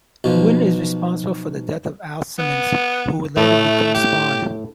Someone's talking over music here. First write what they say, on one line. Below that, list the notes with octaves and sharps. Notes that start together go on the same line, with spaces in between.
Wynn is responsible for the death of Al Simmons, who would later become Spawn.
B1 B2 F3
B3
A2 A3
G4